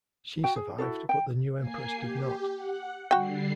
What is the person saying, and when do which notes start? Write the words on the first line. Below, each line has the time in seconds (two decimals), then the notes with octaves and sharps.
She survived, but the new empress did not.
0.44 F#4 G5
0.56 G#4
0.78 E4 F#4 G#4 A4
1.09 G5
1.58 A#3 G#5 C7
1.94 G4
2.53 F#5
3.11 D3 G3 F#4 G5 C7